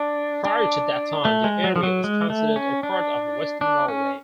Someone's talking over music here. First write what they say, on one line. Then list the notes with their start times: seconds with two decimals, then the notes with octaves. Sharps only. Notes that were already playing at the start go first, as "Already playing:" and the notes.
Prior to that time, the area was considered a part of Western Norway.
Already playing: D4
0.45 D4
1.25 A3
1.44 G#3
1.64 F#3
1.76 F3
1.83 F#3
2.04 G#3
2.30 A3
2.56 C#4
2.83 D4
3.61 D4
3.88 C#4